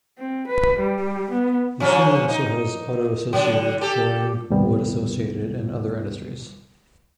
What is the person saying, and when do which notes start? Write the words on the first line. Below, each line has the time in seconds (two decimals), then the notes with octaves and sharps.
The city also has auto-associated, flooring, wood-associated, and other industries.
0.18 C4
0.47 B4
0.79 G3
1.30 B3
1.80 D3 F3 C#4
2.30 D#4
3.33 D3 F#3
3.81 G4 A4
4.50 D#2 G#2 C3 G3 A#3 B3